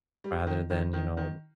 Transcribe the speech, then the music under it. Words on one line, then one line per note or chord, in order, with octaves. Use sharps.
rather than, you know,
G3
D#3
D#3
D#3
D#3